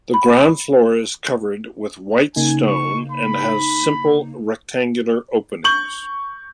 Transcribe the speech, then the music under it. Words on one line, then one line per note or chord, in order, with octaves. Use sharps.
The ground floor is covered with white stone and has simple rectangular openings.
B5
C#3 A#3 D#4 G#5
C#6
B5
C#6 G6 F#7